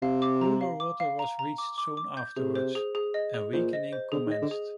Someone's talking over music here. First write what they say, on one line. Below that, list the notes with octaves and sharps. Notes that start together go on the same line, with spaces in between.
Cooler water was reached soon afterwards, and weakening commenced.
C3 F5
D6
A#5
F5
D6
F5
A#5
A#5
D6
D6
D6
G6
C3 G#4
C5
G#4
G#4
D#5
G#4
A#2 C5
D#5
C5
D3 G#4
D#3
D#5
D3
G#4